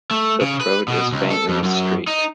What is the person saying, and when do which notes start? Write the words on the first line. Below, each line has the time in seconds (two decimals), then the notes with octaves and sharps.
The throat is faintly streaked.
0.11 A3
0.41 C#3
0.61 B4
0.88 B2
1.12 C#2
1.31 A4
1.49 F2
1.63 F#2
2.07 D#4